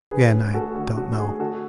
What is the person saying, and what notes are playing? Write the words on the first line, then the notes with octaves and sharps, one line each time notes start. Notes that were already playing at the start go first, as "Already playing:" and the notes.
Again I don't know.
D3 G#4 B4
C#4
A3 F#4 A4
D3 F#4
C#4 F#4
A3 G#4
D3 F#4 A4